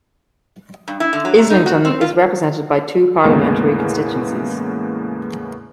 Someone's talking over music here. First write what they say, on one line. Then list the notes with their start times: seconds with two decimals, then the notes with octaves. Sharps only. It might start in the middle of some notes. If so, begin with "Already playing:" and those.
Islington is represented by two parliamentary constituencies.
0.88 G2
1.00 E4
1.13 D3
1.25 F#3
1.38 C3
1.50 D#4
1.66 F#4
1.85 C4
2.01 F4
3.24 E2 A2 C#3 G#3 A#3 B3